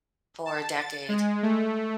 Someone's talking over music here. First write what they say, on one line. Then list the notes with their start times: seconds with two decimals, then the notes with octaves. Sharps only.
for a decade.
0.46 A5
0.79 A6
1.09 G#3
1.43 A3